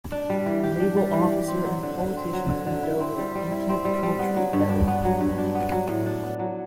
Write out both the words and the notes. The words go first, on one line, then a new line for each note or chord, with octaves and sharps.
Naval officer and politician from Dover, in Kent County, Delaware.
D4
G3
E3
G4
D4
G3
E3
G4
C4
F#3
D3
D3
C4
F#3
D3
D3
E4
C4
G3
G3
E4
C4
G3
G3
B3
F#3
G2
D4
B3
F#3
G2
D4
B3
F#3
A2
D4
B3
F#3